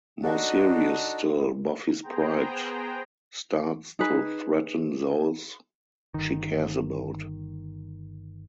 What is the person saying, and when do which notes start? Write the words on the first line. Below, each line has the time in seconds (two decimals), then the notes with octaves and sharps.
More serious still, Buffy's pride starts to threaten those she cares about.
0.23 D4 D#4 F#4 A4
2.02 B3 G#4 C5 G5 A#5
3.99 D#4 G#4 B4
6.14 G1 D#3